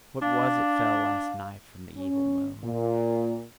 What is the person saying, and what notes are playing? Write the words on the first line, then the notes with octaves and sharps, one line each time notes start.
What was it fell last night from the evil moon?
D4 F5
C#4
A#2